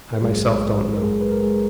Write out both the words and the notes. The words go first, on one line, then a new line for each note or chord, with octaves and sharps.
I myself don't know.
A#4
A#1 G#2 F#3 G#3 G#4
A#4
G#3 G#4
B4
A#4
G#3 G#4